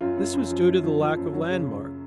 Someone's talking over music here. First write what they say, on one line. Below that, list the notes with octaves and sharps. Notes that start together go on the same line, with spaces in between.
This was due to the lack of landmarks.
F#2 F4
F#2
F#2
F3
F#2
F3
F3
F#2
F#3
C#3